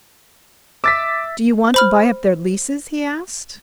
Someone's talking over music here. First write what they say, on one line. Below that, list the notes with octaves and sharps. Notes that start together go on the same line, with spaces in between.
"Do you want to buy up their leases?" he asked.
E5 D6 A6 B6
C5 B5 F6